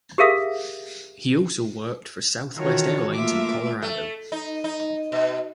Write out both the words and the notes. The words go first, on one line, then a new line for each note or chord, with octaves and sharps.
He also worked for Southwest Airlines in Colorado.
G4 G#4 A#4 E5 F5 D#6
D#3 E3 F4 F#4 A4 C#5
A3 A#3 F4 E5 D6
A3
D#4
D#4
B2